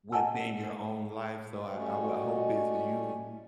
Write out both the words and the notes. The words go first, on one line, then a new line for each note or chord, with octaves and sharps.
within your own life. So I I would hope it's you
D#5 F#5 G#5 A5 E6
G3 A3 C#4 F#4 D#5 G#5